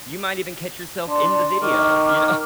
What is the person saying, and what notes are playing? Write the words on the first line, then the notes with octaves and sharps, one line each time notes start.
You might even catch yourself in the video, you
D4 D5 C6
D#3 C#6 D6 F6